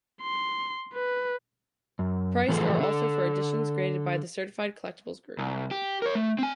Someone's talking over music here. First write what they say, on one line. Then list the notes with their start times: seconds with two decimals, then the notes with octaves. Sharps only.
Priced are also for editions graded by the Certified Collectibles Group.
0.22 C6
0.94 B4
1.99 F#2
2.48 A2 E3 F3 G#4 A4
2.80 D3 A4
5.38 C2
5.71 G4
6.02 A#4 C#5
6.15 A3
6.39 C4 G#5